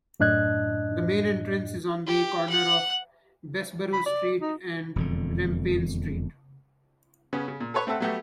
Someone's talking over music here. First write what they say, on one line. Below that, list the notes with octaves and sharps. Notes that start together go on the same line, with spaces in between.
The main entrance is on the corner of Bessborough Street and Rampayne Street.
F#2 A2 D4 D#5 F#6 G#6
G4
F#5 F#6
B5
D5
D#4
E1 F2 D3
C#3 B3 C#4
C#3
A#2
A4 B4 C#5
A3 C4 A4 E5 F#5
F#3 G3 A3 B3 F#4 G4